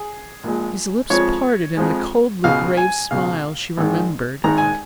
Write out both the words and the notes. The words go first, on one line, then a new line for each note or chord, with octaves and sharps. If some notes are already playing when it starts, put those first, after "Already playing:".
His lips parted in the coldly-grave smile she remembered and hated.
Already playing: G#4
A#1 A#2 G#3
F2 F3 G#3 C#5
F2 F3 G#3
C#2 B2 G#3 F5
G#5
C#2 B2 G#3 F5
G#1 G#2 D#3 G#3
G#1 G#2 D#3 G#3 A#5
G#5